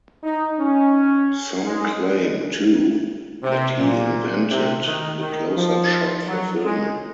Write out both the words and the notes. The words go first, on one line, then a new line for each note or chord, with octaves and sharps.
Some claim, too, that he "invented" the close-up shot for filming.
D#4
C#4
G#3
C3
A#2
C3
D#3
D#3
F3
F#3
G#3